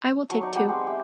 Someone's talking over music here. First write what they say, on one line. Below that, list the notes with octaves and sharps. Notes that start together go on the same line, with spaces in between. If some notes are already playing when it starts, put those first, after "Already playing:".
I will take two.
F#3 A5 C#6
D#4 D5 C#6
B3 G4 F#5
G#3 C4
G4 C5 E5